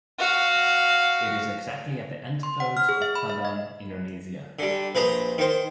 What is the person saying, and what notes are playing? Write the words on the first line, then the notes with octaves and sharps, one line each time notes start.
It is exactly at the antipodes of Padang, Indonesia.
F#4 F5
C6
F#5
F6
G#4
E5
B5
E5
D#5
D3 G3
A#1 B4 C5 A#5 D#6
D#3 C5